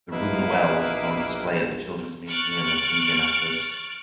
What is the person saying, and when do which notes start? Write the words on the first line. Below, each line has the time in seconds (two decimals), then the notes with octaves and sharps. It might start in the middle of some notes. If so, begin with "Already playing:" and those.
The "Reuben Wells" is on display at the Children's Museum of Indianapolis.
0.12 A#1 B2 A#3 E4 B4
2.28 C#6 F6 F#6 A6 D7